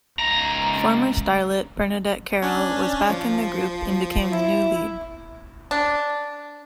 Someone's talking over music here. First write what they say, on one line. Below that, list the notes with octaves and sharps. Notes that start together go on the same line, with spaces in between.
Former Starlet Bernadette Carroll was back in the group and became the new lead.
C#2 A#5
C#4 D4
F3
E4
D4